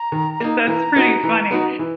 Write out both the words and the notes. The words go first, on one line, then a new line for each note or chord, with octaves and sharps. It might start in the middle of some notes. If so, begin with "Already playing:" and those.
That's pretty funny.
Already playing: A#5
D#3
A#3 D#4
E3 A#5
B3 D#4 F#4
E3
B3 D#4 F#4
E3